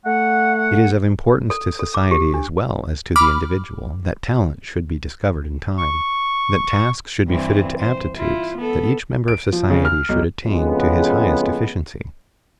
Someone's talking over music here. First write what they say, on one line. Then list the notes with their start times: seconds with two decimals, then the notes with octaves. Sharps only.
It is of importance to society as well as to the individual that talent should be discovered in time, that tasks should be fitted to aptitudes, that each member of society should attain to his highest efficiency.
0.05 A3 F#5
1.50 A4
1.79 A4
1.94 D6
2.11 G4
2.34 D4
3.16 B5 D6 F6
5.78 C#6
7.27 G2 E3 C4
7.79 C5
8.17 E4 F4
8.57 B3 A4
9.28 D7
9.52 F3
9.70 C#3
9.85 F6
10.09 B1
10.45 F2 A2 C#3 G#3 B3